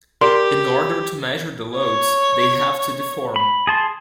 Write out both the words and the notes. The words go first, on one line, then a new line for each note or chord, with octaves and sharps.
In order to measure the loads, they have to deform.
G4 A#4 D5 C6
C#5
B5
G#4 A5 C6